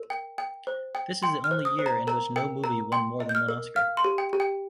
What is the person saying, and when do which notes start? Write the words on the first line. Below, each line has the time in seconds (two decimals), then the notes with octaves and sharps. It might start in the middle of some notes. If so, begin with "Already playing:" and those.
This is the only year in which no movie won more than one Oscar.
Already playing: A#4
0.10 G5
0.38 G5
0.67 C5
0.95 G5
1.23 G5 C6
1.44 F6
1.51 C5
1.65 D#6
1.79 C5
1.86 A#5
2.07 A#4 A#5
2.36 A#4 G5
2.64 A#4 A#5
2.92 G5 C6
3.20 D#5
3.29 G6
3.35 F6
3.49 A#4
3.76 F5 F6
3.97 C6
4.04 G4
4.18 G5
4.33 G4
4.40 G5